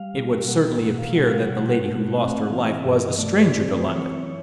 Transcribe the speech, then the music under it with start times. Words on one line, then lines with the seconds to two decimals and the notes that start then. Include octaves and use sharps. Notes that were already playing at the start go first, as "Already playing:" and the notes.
"It would certainly appear that the lady who lost her life was a stranger to London."
Already playing: G3 F5
0.14 B2
0.48 A#3 F#5
0.65 G5
0.81 B2 F#5
0.98 F5
1.15 G3 F#5
1.30 F5
1.43 F#5
1.50 B2
1.83 A3
2.18 C4
2.40 F#5
2.50 E3 F5
2.69 F5
2.73 E5
2.85 G2
2.96 D#5
3.18 A3 D5
3.53 C4
3.80 C5
3.85 E3 C#5